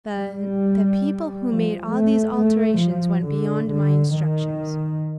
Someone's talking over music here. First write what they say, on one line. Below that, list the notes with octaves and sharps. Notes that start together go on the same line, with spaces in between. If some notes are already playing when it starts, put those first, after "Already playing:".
The--the people who made all these alterations went beyond my instructions.
G3
F3
A3
A3
F3
D3
D3
D#3